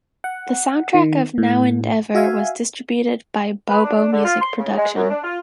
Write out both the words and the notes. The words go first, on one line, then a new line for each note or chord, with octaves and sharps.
The soundtrack of "Now and Ever" was distributed by Bo Bo Music Production.
F#5
D#3
A2
F#4 E5 F5 G#5
B4
D4
D4
D3
F4
C6
C#3
G#3
F#2
D4
F4